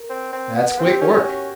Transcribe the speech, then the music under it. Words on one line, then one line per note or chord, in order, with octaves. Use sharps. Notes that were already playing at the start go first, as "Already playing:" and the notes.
That's quick work.
Already playing: A#4
C4
C4
B3
C4
G4
C#4
F#4
C#4